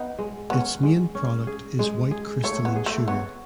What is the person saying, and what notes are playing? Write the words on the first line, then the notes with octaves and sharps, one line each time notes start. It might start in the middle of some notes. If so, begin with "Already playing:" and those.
Its main product is white crystalline sugar.
Already playing: B3 D#4
G#3
B3 C#4
G#3
C#4
G#4
G#3
G#4
A3 C#5
B3
G#4
A3
B3 C#5